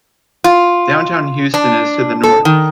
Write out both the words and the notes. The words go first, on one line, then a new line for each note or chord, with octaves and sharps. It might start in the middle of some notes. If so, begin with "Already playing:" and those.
Downtown Houston is to the north.
F4
D4
A4
D#3